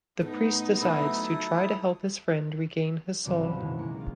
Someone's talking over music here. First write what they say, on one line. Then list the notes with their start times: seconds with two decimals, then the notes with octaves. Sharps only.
The priest decides to try to help his friend regain his soul.
0.21 A2 A3 B3 D#4
0.81 F#3 A3 E4 A4 B4 D#6
3.25 D#1 G#1 C#2 C3 F#3 D5
3.43 C#4 B4 E7
3.57 F#2 B2 D#3 E3 G#3
3.78 C2 G#3 A#3 G#4 A#4 C#7
4.00 F4